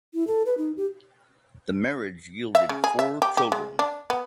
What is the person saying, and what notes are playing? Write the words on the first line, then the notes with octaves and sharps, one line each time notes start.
The marriage yielded four children.
E4
A4
B4
D#4
G4
E5
C#3
G#4
E5
G4
G4
G#3
D4
B3